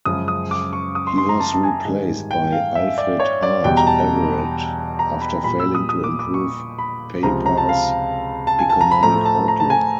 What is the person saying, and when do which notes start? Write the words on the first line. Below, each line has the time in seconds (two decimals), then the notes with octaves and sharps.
He was replaced by Alfred Hart Everett after failing to improve Papar's economic outlook.
0.05 F#2 C#3 F3 G#3 D#6
0.28 D#6
0.51 D6
0.73 C#6
0.95 D#6
1.07 C6
1.18 C6
1.29 A#5
1.40 A5
1.54 A5
1.63 G#5
1.85 G#2 D#3 G3
2.31 G5
2.52 F5
2.75 E5
2.98 D5
3.20 C#5
3.43 D5
3.64 E2 B2 G3 G5
3.77 A#5
3.87 A5
4.99 A#5
5.22 B5
5.44 A#2 G3 B5
5.60 E6
5.75 D#6
5.89 D#6
6.04 D6
6.19 D6
6.34 C#6
6.79 B5
7.23 C#2 C3 F3 A#5
7.46 A#5
7.57 A5
7.69 F5
8.47 A5
8.59 G#5
8.69 A5
8.81 A#5
8.91 B5
9.03 A2 F3 A3 A#5
9.25 A5
9.48 A#5
9.60 A5
9.70 G#5